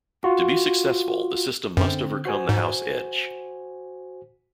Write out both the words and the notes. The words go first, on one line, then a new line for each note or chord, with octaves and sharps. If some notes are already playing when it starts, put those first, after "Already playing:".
To be successful, the system must overcome the house edge.
F4 F#4
F#2 D3 C4
F#4 C5 G#5
G#2